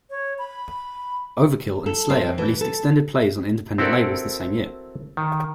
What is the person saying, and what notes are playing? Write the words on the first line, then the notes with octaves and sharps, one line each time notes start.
Overkill and Slayer released extended plays on independent labels the same year.
C#5
B5
A4
C4
F2
E3
A4
C4 E4 F#4 A4 A#4 D5
D#3